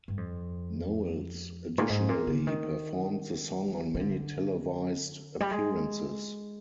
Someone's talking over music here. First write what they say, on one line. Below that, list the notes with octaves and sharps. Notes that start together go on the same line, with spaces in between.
Knowles additionally performed the song on many televised appearances.
G2
F2
A#2
G#2
A#2
D3
D#3
D#3
D3
G3
G#3